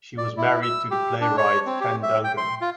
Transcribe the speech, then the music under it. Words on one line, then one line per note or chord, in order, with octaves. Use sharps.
She was married to the playwright Ken Duncum.
D5
E4
E6
G4
D4
C#5
C4
G4
E5
G5
C6
F4